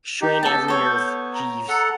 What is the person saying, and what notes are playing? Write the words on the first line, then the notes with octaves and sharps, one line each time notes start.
Strain every nerve, Jeeves.
D#4 G4
B3 A4 A5 G6
A4 C#5
A#5
A4 F#5